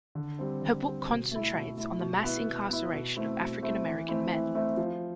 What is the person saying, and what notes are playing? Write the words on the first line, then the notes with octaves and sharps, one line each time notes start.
Her book concentrates on the mass incarceration of African-American men.
D3
G3 C4
D3
G3 C4
B2
A3 E4
B2
A3 E4
B2
B3 E4
B2
B3 E4
B2
A3 C4 E4
B2
A3 C4 E4
E3
A3 C4 E4
E3
A3 C4 E4
F3